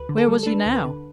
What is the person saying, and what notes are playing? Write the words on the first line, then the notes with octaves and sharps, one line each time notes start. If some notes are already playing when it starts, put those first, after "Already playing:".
Where was he now?
Already playing: D2 B4
D3
A4
G3
A4
D4 B4
D2
B4
D3